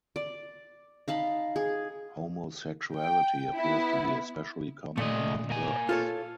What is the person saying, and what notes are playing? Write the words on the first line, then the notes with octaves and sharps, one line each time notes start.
Homosexuality appears to be especially common among birds.
D5
D#4 F5 A5 B5
G#4
G5
B3 E4
A#2 A3 D#5
A#3 G#5
F4 A4 C#5